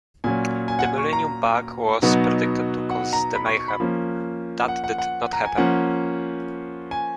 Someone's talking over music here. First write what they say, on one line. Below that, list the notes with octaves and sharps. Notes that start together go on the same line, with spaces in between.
The millennium bug was predicted to cause the mayhem. That did not happen.
A#2 F#3 C#4 G#5
G#5
F#5
G#5
C#6
A#5
B2 F#3 B3 D#4
F#5
A#5
B5
C#6
C#6
B5
F3 A#3 C#4
F#5
F#5
F#5
A#5
G#5
F3 A#3 C#4 F#5
G#5